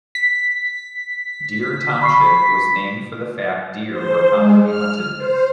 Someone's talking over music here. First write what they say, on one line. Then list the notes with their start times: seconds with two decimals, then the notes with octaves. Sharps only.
Deer Township was named for the fact deer were commonly hunted there.
0.15 B6
2.02 B5 C#6 C7
3.90 C5
4.30 G#3
4.64 F6
5.16 C5